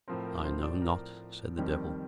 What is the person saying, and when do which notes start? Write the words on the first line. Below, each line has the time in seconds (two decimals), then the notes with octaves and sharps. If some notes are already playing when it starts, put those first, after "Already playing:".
"I know not," said the devil.
0.08 A2 F3 C4 A#4
0.26 A#4
0.45 C5
0.63 D5
0.82 A#4
1.57 F2 D#3 G3 C4